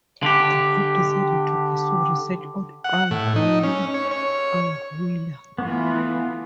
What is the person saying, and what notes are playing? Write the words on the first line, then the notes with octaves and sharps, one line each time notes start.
The group decided to pursue research on "Anguilla anguilla".
D3 G4
F#5
A2
D#4
C#4
C#5
C#5
E3 A3 B3 F4